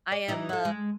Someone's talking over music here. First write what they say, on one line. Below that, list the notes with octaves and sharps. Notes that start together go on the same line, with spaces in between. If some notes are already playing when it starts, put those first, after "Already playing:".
I am, uh
D5
E3 D#4 E4
E4 A4
G#3